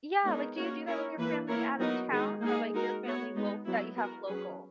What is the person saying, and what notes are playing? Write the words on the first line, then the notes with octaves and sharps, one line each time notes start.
Yeah, like, do you do that with your family out of town or, like, your family lo that you have local?
G#3 B3 D#4 A#4 C#5
A#3 C#4 F#4 A#4 C#5
C#4 E4 A#4 C#5
E3 A#3 E4 B4
A#3 E4 A#4 C#5
F#3 B3 D#4 F#4 A#4
D#3 G#3 D#4 G#4
A#3 D#4 G#4
G#3 D#4 F#4 A#4
B3 F#4 C#5
G#3 B3 D#4
F#3 B3 E4
B3 F#4 A#4
F#3 C#4 G#4 B4